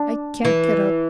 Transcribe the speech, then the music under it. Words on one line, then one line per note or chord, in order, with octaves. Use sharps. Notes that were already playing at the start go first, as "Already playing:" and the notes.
I can't get up!
Already playing: D4
E3